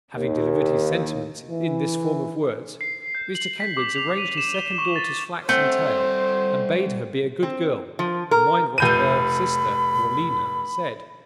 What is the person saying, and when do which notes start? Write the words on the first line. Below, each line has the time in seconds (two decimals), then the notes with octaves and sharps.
Having delivered his sentiments in this form of words, Mr Kenwigs arranged his second daughter's flaxen tail, and bade her be a good girl and mind what her sister, Morleena, said.
0.15 D#2
1.49 E3
2.81 C7
3.15 G6
3.35 F#7
3.60 B6
3.77 D6
3.96 F7
4.18 D#7
4.38 E7
4.54 G7
4.78 C#6
4.96 A6
5.49 G3 A3 C4 C5 F#5
7.43 C4
7.99 F3
8.31 A#4
8.78 F1 B5 G6 D#7